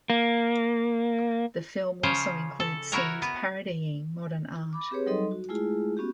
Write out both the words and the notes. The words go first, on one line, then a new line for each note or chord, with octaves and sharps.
The film also includes scenes parodying modern art.
A#3
C#3 F3 C5 C#5
A4
E4 F#4 A#4 C#5 A#5
B3
B5 D6
C4 G4 G#4 B4 C#5
F#3 G3 D#4 A4 D#5 C6
F#4
G#3 A3 E4 F4 G#4
B3 C#4 F#4 G4